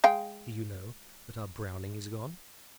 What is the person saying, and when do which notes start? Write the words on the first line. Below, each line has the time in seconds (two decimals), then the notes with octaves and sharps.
Do you know that our Browning is gone?
0.04 G#3 F5 G5